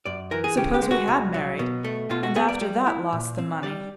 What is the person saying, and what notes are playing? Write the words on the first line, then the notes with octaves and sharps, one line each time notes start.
Suppose we had married, and after that lost the money!'
F#2 D5
E3 A#4
G#4
C#3 G4
G4
G#3
F#4
C2
F#3
B2
A3
B2 F4
F#4
B3 G#4
D5
G3
E4
A#2
C4
G3 D5